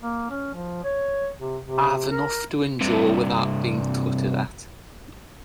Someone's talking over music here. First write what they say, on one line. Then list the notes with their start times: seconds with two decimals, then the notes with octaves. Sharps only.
I've enough to endure without being tutted at.
0.02 A#3
0.30 C#4
0.53 F3
0.84 C#5
1.39 C3
1.62 C3
2.10 A#4
2.81 G2 C3